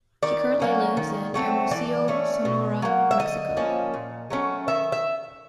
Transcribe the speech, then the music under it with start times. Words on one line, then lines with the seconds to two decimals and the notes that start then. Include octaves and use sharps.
He currently lives in Hermosillo, Sonora, Mexico.
0.23 D#3 D5
0.60 F#3 A#3 C#4
0.97 D#3
1.34 F#3 A3 C4
1.71 E3 D5
2.08 A3 C#4
2.45 B2
2.82 F#3 A#3
3.11 E5
3.19 D3 D#5
3.57 F3 A#3 C#4
3.94 A#2
4.30 F#3 A3 C#4
4.68 D#3 E5
4.92 E5